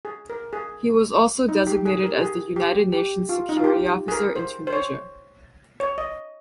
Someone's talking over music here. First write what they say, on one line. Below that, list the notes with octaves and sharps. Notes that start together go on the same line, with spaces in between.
He was also designated as the United Nations Security Officer in Tunisia.
G#4
A#4
G#4
D#4
G4
G#4
A#4
G4
G#4
G4
G4
F4
D#4
F4
G4
G#4
A#4
C5
C5
C#5
C#5
D#5